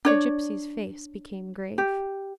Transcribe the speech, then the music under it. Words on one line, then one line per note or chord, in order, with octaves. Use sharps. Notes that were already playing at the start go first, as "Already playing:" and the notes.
The gipsy's face became grave....
D4 C#5 D5
G4